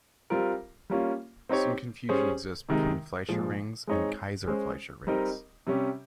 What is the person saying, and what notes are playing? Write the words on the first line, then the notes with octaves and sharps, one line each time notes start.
Some confusion exists between Fleischer rings and Kayser-Fleischer rings.
G3 C4 F4 A#4
G3 A#3 C#4 F4
C4 D#4 G4 C#5
G3 C#4 G#4 C5
C3 D#3 G#3 D#4
A#2 F3 G#3
G#3 C4 D#4 G#4 C#5
G#3 C#4 G#4 C5
G3 C4 D#4 A#4 D#5
C3 G3 C#4 G4